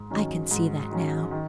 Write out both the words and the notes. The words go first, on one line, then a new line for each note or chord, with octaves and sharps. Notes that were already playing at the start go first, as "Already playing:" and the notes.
I can see that now.
Already playing: G#2
D#3 F#3 C#4
G#2
D#3 F#3 C#4
D#3